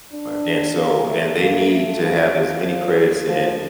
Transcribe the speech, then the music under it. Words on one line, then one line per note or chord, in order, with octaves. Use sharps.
Uh, and so, and they need to have as many credits and
D4
A#3
A3
A#3
A3
F3
F3
F3
F3